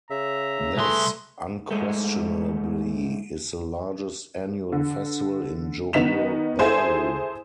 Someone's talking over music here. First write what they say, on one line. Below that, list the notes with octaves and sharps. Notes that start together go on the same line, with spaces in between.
This unquestionably is the largest annual festival in Johor Bahru.
C#3 E5 A#5
C2 A3 G#4 B4 E5 C6
G#2 G#3 A3
D3
D#3 B3 D#4 B6 E7 F7
E4 G#4 A4 C5 G#5